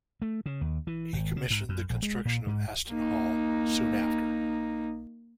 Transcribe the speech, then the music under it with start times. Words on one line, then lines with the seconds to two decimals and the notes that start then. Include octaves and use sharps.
He commissioned the construction of Aston Hall soon after.
0.22 A3
0.46 C#3
0.61 D#2
0.87 E3
1.13 G#1
1.36 C#3
1.51 G#2
1.69 F#2
1.90 A#1
2.03 G#3
2.25 A#2
2.47 G#2
2.89 A#3 D#4